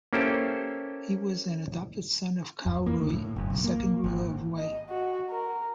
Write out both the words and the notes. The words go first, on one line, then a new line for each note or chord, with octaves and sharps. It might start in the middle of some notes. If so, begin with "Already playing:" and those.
He was an adopted son of Cao Rui, the second ruler of Wei.
A#3 C#4 E4 G4 A4 C5
F2
A#3
D2
A2
F#1
B1
A#3
G#1
D#5
F#4
A#4